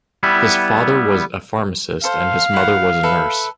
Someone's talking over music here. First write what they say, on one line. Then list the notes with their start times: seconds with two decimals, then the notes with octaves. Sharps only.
His father was a pharmacist and his mother was a nurse.
0.23 G3 B3 E4
2.04 A4 C5 F5
2.53 E4 F#5
3.03 A4 B4 E5